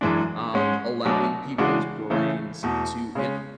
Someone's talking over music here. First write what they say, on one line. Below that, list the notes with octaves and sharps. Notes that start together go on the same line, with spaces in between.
um, allowing people's brains to
F#2 E3 G#3 D4
G#2 G#3 C#4
B2 F#3 A3 D4
C#3 E3 G#3 D4 F#4
C#3 E3 A3 C#4
E2 B2 A3
C#3 G#3 C#4